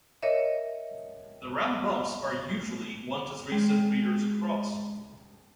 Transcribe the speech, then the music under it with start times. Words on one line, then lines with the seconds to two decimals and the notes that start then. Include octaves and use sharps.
The round bumps are usually one to three centimeters across.
0.22 A#4 C#5 D#5 E5
3.52 G#3 G#4 G5